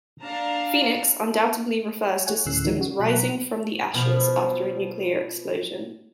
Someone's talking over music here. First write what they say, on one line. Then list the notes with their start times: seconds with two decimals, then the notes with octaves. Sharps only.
"Phoenix" undoubtedly refers to systems "rising from the ashes" after a nuclear explosion.
0.21 D4 F5 A5 A#5
2.27 A3 G#4 C#5 F#5 G#5
2.46 D2 A2 C#3 E6 F#6 C7
2.65 D#3 F3 G#3
2.78 C#3 F#4
3.00 B2 F#3 F#5 A#5 F#6 B6
3.94 B2 F3